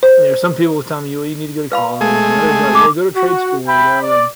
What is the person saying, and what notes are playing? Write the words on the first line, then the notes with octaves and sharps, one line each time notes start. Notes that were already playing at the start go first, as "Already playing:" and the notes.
You know, some people will tell me, "Well, you need to go to college," and others are like, "Well, go to trade school," you know, and
C5
B4 F5 B5
G#3 A3 G#4
F#5
D6
F#4
E5 G5 B5
D5